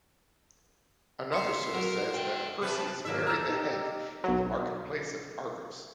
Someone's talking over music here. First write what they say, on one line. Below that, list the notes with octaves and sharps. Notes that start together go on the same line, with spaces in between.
Another source says that Perseus buried the head in the marketplace of Argos.
E5 F5 C6 C#7
F#3 F#4 A#4
B4 G5
C3 B4 A5
G#2 D#3 F#3 A#3 E5
A4 A#5 E6 E7
D#4 G4
B1 F#3